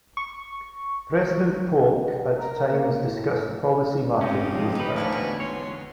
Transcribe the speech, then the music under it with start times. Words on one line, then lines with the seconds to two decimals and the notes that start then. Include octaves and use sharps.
President Polk at times discussed policy matters with her.
0.17 C#6
2.00 G2
2.37 A#4
2.72 A#3
3.04 A2
4.21 G#2 C3 C#4 G4 D#5
4.55 F#2 F3 G#3
4.75 D2 G3 D#4 B4
4.96 E2 D3 D#3 F3 A#3 G#5 B5 C#6
5.12 B2
5.40 C#5 C6